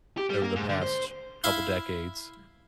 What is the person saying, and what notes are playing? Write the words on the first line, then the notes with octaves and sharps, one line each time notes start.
over the past couple decades
G4
G3
A#3
G#2
D3
C5
E4 F5 C6